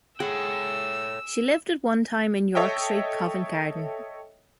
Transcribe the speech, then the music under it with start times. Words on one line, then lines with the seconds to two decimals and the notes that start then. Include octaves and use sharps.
She lived at one time in York Street, Covent Garden.
0.20 G#4 A4 C#5 F#5 G5 E6
2.55 A4 C#5 D#5 E5 G5